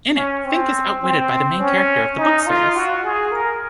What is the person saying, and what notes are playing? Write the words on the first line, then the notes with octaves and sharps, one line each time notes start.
In it, Fink is outwitted by the main character of the book series.
C#4
C4
C4
C#4
D#4
F4
F#4
G#4
A#4